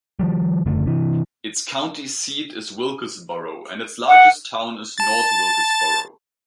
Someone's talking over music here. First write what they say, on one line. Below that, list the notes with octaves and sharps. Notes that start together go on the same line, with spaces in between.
Its county seat is Wilkesboro, and its largest town is North Wilkesboro.
D#3 F3 G3
F#1 D3 A3
C3 E3
F#5
A5 A6